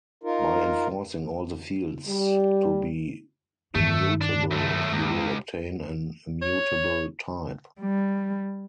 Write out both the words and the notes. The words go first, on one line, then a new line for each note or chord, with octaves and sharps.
By enforcing all the fields to be immutable, you will obtain an immutable type.
D#4 F4 A#4
G3
G2 D#3 A3
D4
F#2 A3
C#2
C#5
G3